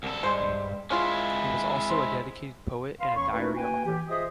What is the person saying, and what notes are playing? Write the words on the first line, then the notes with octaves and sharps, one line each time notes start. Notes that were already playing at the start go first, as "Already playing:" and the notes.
He was also a dedicated poet and a diary author.
C2 A4
G2 G#3 C5
G#3 C#4 E4 F4 G#4
C4
B4 F5 C6
D#2 E3 C#4 C#5 B5 C#6
A3 C#4 D#4 E4 F#4 B4
A#3 F#4 B4 G5 G#5
E3 G4
F4 G#4 C5 D#5 E5 D#6